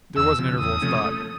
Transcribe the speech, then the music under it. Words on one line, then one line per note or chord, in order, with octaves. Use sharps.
There was an interval of thought.
E2 E6
C#3 F3
E2 D#6
C3 F3 A3 C#4
A3